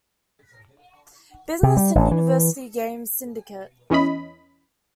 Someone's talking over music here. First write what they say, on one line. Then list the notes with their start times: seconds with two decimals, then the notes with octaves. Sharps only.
'Business and University Games Syndicate'.
1.63 C3
1.77 G3
1.95 A1
2.11 E3
3.90 E2 E3 C#4 D#5 B5